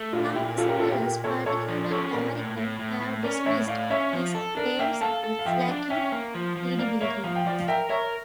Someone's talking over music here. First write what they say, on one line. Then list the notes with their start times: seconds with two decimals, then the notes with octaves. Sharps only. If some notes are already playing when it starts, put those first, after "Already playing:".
Some scholars, particularly American, have dismissed these claims as lacking credibility.
Already playing: A3
0.13 A#2 D4 F4
0.35 A#2 E4 G4
0.58 C#4 F4 A4
0.68 G4 A#4
0.79 A#2 F4 A4
0.91 E4 G4
1.02 A#2 G4 A#4
1.24 A#2 A4 C#5
1.46 A#2 A4 C#5
1.68 F3
1.91 C#4 A4 C#5
2.13 A#2 A#4 D5
2.35 A2
2.57 A2
2.79 A2
3.01 A2
3.23 C#4 A#4 D5
3.46 A2 C#5 E5
3.68 A2 D5 F5
3.90 C#4 C#5 E5
4.13 F3
4.35 A4
4.57 D4 A#4 D5
4.79 A#3 E5 G5
5.01 A4 F5 A5
5.24 A4
5.39 F5
5.46 F3 E5 G5
5.68 D4
5.90 C#4 E5 G5
6.12 A#3
6.34 F3
6.57 F3
6.78 A#3 D5 F5
7.01 A#3 C#5 E5
7.23 F3 F5
7.35 G5
7.46 F3 D5 F5
7.68 A#4 E5 G5
7.90 A#4 C#5 E5